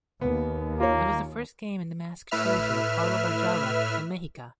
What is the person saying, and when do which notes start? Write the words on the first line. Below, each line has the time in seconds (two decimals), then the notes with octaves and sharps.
It was the first game in the Mask Trilogy, followed by "Java" and "Mexica".
0.21 D#2 B3
0.80 A#3 F4 C#5
2.31 A2 B4 E5 F6